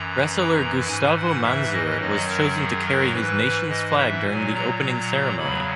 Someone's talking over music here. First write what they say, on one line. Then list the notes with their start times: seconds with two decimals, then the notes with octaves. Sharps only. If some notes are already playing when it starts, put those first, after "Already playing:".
Wrestler Gustavo Manzur was chosen to carry his nation's flag during the opening ceremony.
Already playing: F#2 E3 A#5
0.88 G#2 E3 G#5
1.17 F#5
1.45 E5
1.74 D#5
2.01 F#2 D#3 F#3 D#5
2.29 A#4
2.57 G#4
2.86 A#4
3.13 G#2 E3 B4
3.70 D#5
3.98 E5
4.26 A#2 F#3 G#5
4.55 A#5
4.82 A#5
5.11 A#5
5.39 E2 C#3 F#3 B5